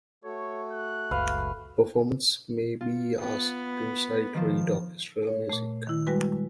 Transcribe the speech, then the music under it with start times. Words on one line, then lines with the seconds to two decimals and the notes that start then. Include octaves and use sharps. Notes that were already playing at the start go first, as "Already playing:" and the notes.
Performers may be asked to sight read orchestral music.
0.24 A3 F#4 A4 C#5
0.72 F#6
1.11 F#1 C#2 B4 F5
2.81 F4
3.20 B3
4.34 D#3 F3
5.27 C#5
5.50 A#2 A3
5.87 D#3 E4
6.07 G3 G#3 F#4 B4